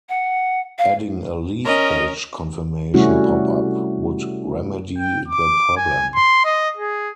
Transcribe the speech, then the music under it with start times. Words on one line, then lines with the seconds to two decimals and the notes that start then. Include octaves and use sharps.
Adding a "leave page" confirmation pop-up would remedy the problem.
0.09 F#5
0.78 F5
1.65 C#4 A#4 D#5
2.94 C3 G3 A3 C#4 E4 F#4
4.98 G5
5.28 D6
5.77 G#5
6.14 C6
6.45 D#5
6.77 G#4